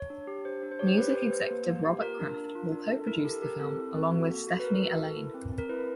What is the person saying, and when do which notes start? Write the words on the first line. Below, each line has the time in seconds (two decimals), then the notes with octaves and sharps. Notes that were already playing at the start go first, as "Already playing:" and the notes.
Music executive Robert Kraft will co-produce the film along with Stephanie Allain.
Already playing: C#5
0.10 D4
0.27 G4
0.45 D4 C5
0.63 D4
0.71 C5
0.79 G4 C#5
0.87 C5
0.98 G4 B4
1.15 G4 C5
1.26 B4
1.33 A#3 C5
1.51 A#3
1.68 A#3
1.85 G4
2.02 F4 A#4
2.20 D4
2.37 D4
2.55 F4
2.72 D4
2.90 A4
3.07 E4 A#4
3.25 G4 A4
3.42 G4 A#4
3.60 C4 A4
3.77 E4
3.94 C4
4.12 F#4
4.30 A#3
4.47 F#4
4.60 B4
4.64 A4 A#4
4.82 F#4
4.99 A4
5.17 E4
5.34 C4
5.52 C4
5.58 A#4
5.69 E4 B4